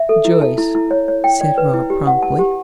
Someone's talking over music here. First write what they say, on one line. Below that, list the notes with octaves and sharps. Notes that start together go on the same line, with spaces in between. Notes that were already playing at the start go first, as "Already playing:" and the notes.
"Joyce," said Rob, promptly.
Already playing: E5
A4
E4
A5
E4
E4
C#5
C#5
G5
D5
B4
E4
G4
F#5
A5
G4